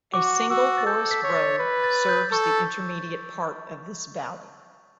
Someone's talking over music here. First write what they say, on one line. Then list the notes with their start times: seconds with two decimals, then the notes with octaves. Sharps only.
A single forest road serves the intermediate part of this valley.
0.14 F#4 D6
0.50 F#4 E6
0.78 A6
0.86 A4 G6
1.11 B6
1.24 C#5
1.29 B6
1.35 A6
1.59 B4
1.84 A6
2.09 G6
2.32 A4 C#6